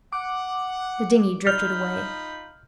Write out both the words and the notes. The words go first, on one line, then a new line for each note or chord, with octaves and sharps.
The dinghy drifted away.
F#5 D6
D#4 F4 B5 F6 G6